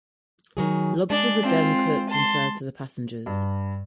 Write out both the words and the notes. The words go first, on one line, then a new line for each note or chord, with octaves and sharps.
The lobsters are then cooked and served to the passengers.
D#3 F#3 G#4
G#3 D4
C4 F4
A5 C6
G2